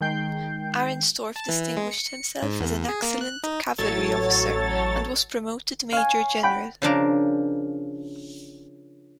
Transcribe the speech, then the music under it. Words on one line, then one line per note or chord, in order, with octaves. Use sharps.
Arenstorff distinguished himself as an excellent cavalry officer and was promoted Major General.
D#3 G#3 G5 G6 C7
A5
E3
G#3
C#7
G#2
E2
G#4
A#3
F#6
D#4
A1 F#3 A4 C#5 A6
C#5 F5 G#5
F#5 G5 B5
C#3 F3 D4 A#4